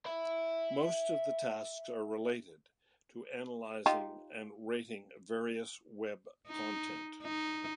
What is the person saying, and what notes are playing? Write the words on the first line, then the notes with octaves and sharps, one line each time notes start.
Most of the tasks are related to analyzing and rating various web content.
E5 B5
D#4 F4 G4
D#4
D#4